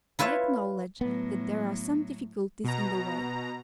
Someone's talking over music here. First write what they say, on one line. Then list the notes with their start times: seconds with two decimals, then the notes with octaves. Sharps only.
I acknowledge that there are some difficulties in the way.
0.19 E4 F4 B4 C#5 E5
1.01 A2 F#3 B3
2.64 B2 A#5